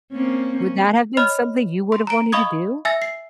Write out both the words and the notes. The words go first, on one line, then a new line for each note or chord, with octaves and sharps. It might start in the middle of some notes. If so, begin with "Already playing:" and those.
Would that have been something you would have wanted to do?
A#3 C4 C#4
C#4
C#5 D#5 B5 F6 F7
C6
A#5 D7
D#5 F5 B5 C#6 D#6 G#6
E5 G#5 E6 A6 A#6
C7